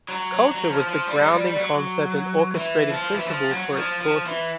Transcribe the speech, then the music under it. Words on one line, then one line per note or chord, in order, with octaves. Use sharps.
Culture was the grounding concept and orchestrating principle for its courses.
F#3
F#3
F#3
F3
F3
G3
G#3
G3
G3
F#3
E3
F3
E3
F3
F#3
F3
F3
E3